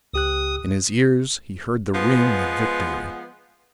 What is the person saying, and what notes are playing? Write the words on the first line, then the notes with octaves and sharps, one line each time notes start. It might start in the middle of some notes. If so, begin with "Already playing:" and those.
In his ears, he heard the ring of victory.
C#2 G4 D#6 F#6
F3 G#3 B3